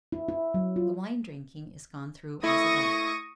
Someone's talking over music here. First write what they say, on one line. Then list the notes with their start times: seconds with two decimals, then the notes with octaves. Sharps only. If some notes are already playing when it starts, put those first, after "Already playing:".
The wine-drinking is gone through as above.
0.12 E4
0.28 E4
0.54 F#3
0.76 F4
2.43 A3 E4 C#6 D#6 A#6